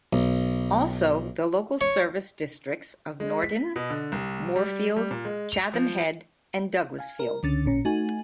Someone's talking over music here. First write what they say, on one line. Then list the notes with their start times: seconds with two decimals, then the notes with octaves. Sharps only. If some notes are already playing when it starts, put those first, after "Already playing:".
Also the local service districts of Nordin, Moorefield, Chatham Head, and Douglasfield.
0.13 B1
1.81 C#5
3.20 G#3
3.42 B6
3.76 B2
3.90 D3
4.12 C2
4.56 G3
4.96 G3
5.11 A#2
5.25 G#3
5.52 F7
5.74 F3
6.99 F5 G#5
7.20 A#4
7.43 C#2 D3 C#4 A6
7.65 A1 A#2 C#4 A#5
7.85 A3 D#4 F#4 G#5